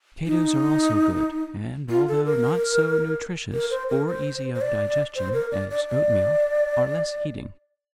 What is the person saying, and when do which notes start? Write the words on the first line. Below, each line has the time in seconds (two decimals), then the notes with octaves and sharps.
Potatoes are also good, and although not so nutritious, or easy of digestion, as oatmeal, are less heating.
0.27 D#4
1.90 F4
2.08 A4
2.25 A#4
3.53 A#4
3.71 C5
3.89 A#4
4.07 C5
4.55 C5
4.61 D5
5.16 C5
5.33 A#4
5.52 D5
5.71 D5
5.90 D5